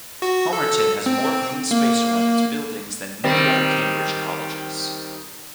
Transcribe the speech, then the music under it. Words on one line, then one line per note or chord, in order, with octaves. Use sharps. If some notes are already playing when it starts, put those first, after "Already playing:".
Homerton has more green space around its buildings than many other Cambridge colleges.
F#4
A4
C4
A#3
D#3 G3 C4